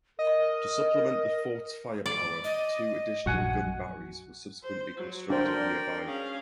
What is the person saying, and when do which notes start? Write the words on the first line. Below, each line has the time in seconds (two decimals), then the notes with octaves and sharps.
To supplement the fort's firepower, two additional gun batteries were subsequently constructed nearby.
0.19 A#4 D#5
2.06 D5
2.44 D#5
3.26 A#1 F#2 F#4 F#5 G#5
4.63 C5
4.97 F#3
5.30 D4 A#4 C5 D5 G5
6.06 C#4 G#4 F5